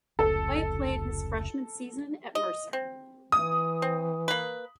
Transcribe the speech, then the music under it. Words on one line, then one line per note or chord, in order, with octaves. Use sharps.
Roy played his freshman season at Mercer.
F1 C#2 A4
D#5
C4
E3 D#6
C4
A#3 B4